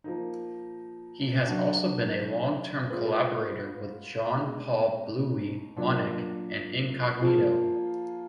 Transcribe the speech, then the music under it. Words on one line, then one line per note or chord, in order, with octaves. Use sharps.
He has also been a long-term collaborator with Jean-Paul 'Bluey' Maunick and Incognito.
F3 A#3 D#4
F#3 D4 F#4
G#3 B3 F4 B4
B2 G#3 D#4
A#2 F#3 D4
F3 A#3 F4 G#4